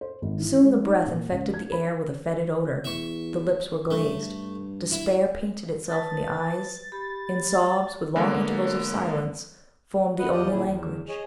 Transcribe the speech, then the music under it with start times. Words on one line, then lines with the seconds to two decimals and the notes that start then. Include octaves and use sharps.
Soon the breath infected the air with a fetid odour, the lips were glazed, despair painted itself in the eyes, and sobs, with long intervals of silence, formed the only language.
0.01 C5
0.22 G#1
0.39 E3
0.62 G#3
0.83 D#4
1.06 A#2
1.31 C#2
1.54 G#6
1.72 B5
2.84 E2 E5 C#6
3.91 G2 A3
4.92 E4
5.88 B4 A5 D#6 A6
6.92 G4 B5
8.16 D3 G#3 A#3 B3
10.19 B4 D#5 F#5
10.31 E2 F3 F4 G4 D5 D#5
10.49 D#2 A#2 E4 G#4
10.65 E2
11.09 G#4 C#5 D#5